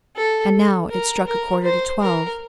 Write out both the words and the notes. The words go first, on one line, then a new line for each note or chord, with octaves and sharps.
And now, it struck a quarter to twelve.
A4
A#4
A#4
C5
A#4